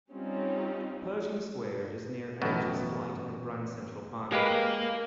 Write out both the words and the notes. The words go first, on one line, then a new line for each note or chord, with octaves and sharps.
Pershing Square is near Angels Flight and Grand Central parking.
G3 C4 C#4 D#4 F4
A1 F#2 B2
G#3 G4 A#4 B4 F5